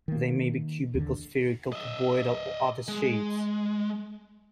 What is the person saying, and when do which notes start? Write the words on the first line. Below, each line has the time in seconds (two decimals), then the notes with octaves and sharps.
They may be cubical, spherical, cuboidal, or other shapes.
0.08 D#3 A#3
0.95 D#2 D3
1.73 D#5 E5
2.88 G#3